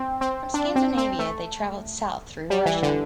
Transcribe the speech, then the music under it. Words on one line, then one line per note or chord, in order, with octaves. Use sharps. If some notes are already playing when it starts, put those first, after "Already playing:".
From Scandinavia they travelled south through Russia.
Already playing: C4
C4
D4
C4
C4
A3
G3
E3
D3